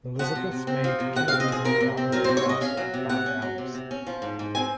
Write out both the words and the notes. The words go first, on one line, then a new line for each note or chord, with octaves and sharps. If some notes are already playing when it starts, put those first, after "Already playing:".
Elizabeth made Kennedy move out of their house at Barn Elms.
F3 F#5
C3
C3
C4
F3
C3
C3 F#5
F5
C4
D#5
F3 G#4
C3 A#4
C3
C4
F#3 A#4
C5
C3
C#5
C3 D#5
C#4 F5
F#3
C3
C3 F#5
C#4
F#3
C3
C3
C#4
F3
G#2
G#2
C4 G#5